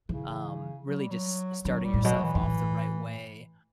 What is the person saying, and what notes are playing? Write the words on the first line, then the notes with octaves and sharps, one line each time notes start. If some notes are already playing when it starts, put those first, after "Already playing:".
um, really just starting yourself off the right way.
C#3 E3
F#3
G3
F#3
D3 F#3
G3
A2
B2 F#3
E3
G2
A2